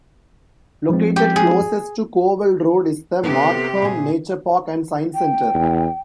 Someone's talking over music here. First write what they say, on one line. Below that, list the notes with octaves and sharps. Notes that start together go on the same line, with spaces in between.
Located closest to Cowell Road is the Markham Nature Park and Science Center.
F3 G#3 C4
G4
G#4
C3 B3 G4 A4
A#2 G#4
G5
E2